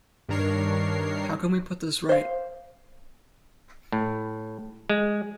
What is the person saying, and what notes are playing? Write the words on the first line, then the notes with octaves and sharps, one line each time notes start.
How can we put this right?
G2 D#3 D4 A#4 C#5 C7
C5 F5
A2
G#3